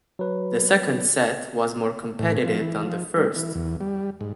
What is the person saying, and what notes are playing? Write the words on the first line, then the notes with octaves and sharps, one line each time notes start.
The second set was more competitive than the first.
F#3 B4
A2
F3
E3
F3
G3
E3
E2
G3
G#2